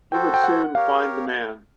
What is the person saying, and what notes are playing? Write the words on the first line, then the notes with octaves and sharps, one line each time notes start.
He would soon find the man.
F#4 A4 C5 G5
G5
F#5
G4 A#4 C#5 F5